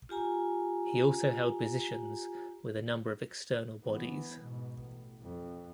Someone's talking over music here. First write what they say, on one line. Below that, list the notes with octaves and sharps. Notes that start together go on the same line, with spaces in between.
He also held positions with a number of external bodies.
F4 G4 G#5 A#5
E3 B3
G#2 B2
A1
F2